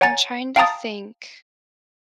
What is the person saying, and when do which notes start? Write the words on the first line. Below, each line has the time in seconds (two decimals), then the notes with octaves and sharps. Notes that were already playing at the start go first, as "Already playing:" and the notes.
I'm trying to think,
0.01 C#5 F#5 G#5 A#5 A6
0.56 F5 G5 A5 A#5 D#6 A6